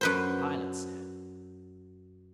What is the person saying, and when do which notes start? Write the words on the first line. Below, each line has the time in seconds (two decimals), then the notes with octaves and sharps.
That's what the pilot said.
0.01 F#2 B4 C5